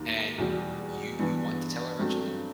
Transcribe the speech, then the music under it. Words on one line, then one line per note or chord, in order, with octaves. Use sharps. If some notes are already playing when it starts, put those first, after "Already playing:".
And you you want to tell her eventually?
Already playing: D#2 D#3 F#3
E2 B2 G3
G2 E3 B3
G2 F#3 A3 C4